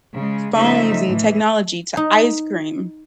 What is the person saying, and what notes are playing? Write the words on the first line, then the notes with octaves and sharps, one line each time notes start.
phones and technology to ice cream.
C#3 G#3
C#3 F3 A3 D#4 E5
A2 E3
D#4